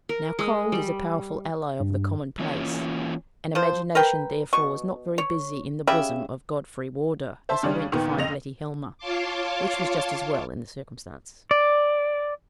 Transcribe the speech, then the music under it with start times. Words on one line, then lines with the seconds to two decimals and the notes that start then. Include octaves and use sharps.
Now cold is a powerful ally of the commonplace, and imagination therefore was not very busy in the bosom of Godfrey Wardour as he went to find Letty Helmer, which was just as well, in the circumstances.
0.09 A#4
0.39 G#3
0.72 G3
1.80 G2
2.39 E3 A#3 C#4 F4 A#4 C#5
3.55 F3 C5
3.95 A#4 B4 G5
4.53 B2 C#6
5.18 C#5
5.87 C#3 G4 E5 B5
7.49 C5 E5 A5 C6
7.63 C#3 G3 C#4 D4
7.92 D#2 A#2 D#3 B3
8.17 F2 C#3 D#5 A#6 F7
8.98 F4 C#5 F5 A5 C6 D6
11.51 D5